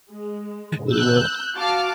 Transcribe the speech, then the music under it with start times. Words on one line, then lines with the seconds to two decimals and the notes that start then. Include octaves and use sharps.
You know?
0.10 G#3
0.90 E6 F#6 G6
1.55 F#4 F5 A5 D6 F6